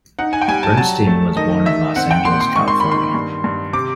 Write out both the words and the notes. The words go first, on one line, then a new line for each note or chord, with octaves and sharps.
Bernstein was born in Los Angeles, California.
D#4 F#5
G#5
G5
G3 G#5
A5
F#3 A5
A3
D#3 D#5
D#3 E5
C4 F#5
G5
A#2 C6
C6
G#2 C#6
C6
D#3 B5
C6
G2
G2
C3 D6